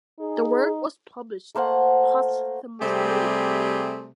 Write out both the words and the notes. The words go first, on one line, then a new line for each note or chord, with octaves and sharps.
The work was published posthumously.
D#4 G#4
A3 A#3 C5 F#5
C3 G3 A3 C4 G4 G#4